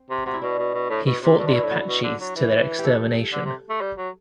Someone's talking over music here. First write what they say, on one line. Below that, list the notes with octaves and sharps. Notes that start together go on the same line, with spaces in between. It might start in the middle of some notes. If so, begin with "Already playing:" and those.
He fought the Apaches to their extermination.
Already playing: C4
C3
C3 F#4
E4
B2 D4
B2
B2
A2
B2
C3
B2 D4
C3
B2 E4
A2
F#4
B2
D3
F#3
E3
G4
A4
D3
C3
A3
G3
F#3